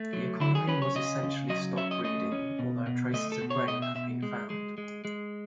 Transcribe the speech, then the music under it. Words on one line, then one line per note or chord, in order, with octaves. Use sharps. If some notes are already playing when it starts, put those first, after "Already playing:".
The economy was essentially stock-breeding, although traces of grain have been found.
Already playing: A3
F#3
F#3 E4
G#4
C#4 B4
C#5
C#3 D#5
C#3
F#3 D#5
C#4 E5
D#5
A3 D#5
C#4
B2
B2
A3 D#5
A4
B2
C#5
B2 D#5
E5
B2 E5
G#3
G#3
G#3
G#3